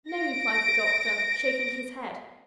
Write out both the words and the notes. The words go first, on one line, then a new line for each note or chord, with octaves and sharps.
'No,' replied the Doctor, shaking his head.
A#6 D7